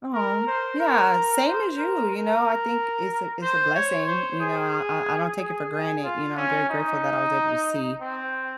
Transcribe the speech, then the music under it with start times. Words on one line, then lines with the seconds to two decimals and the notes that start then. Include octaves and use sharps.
Aw, yeah. Same as you, you know? I think it's a it's a blessing, you know, I I I don't take it for granted, you know, I'm very grateful that I was able to see
0.14 A#4
0.47 C5
0.80 A#4
1.46 C5
1.78 A#4
2.11 A#4
3.42 C5
3.74 C#5
4.07 C5
4.40 G#4
5.38 G#4
6.04 F4
6.37 C#4
6.69 D#4
8.01 C4